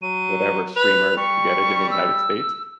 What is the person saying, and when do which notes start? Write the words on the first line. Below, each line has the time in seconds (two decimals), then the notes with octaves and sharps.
whatever streamer to get it in the United States,
0.02 F#3 D#7
0.76 B4 F7
1.17 G3 C#6
1.91 E6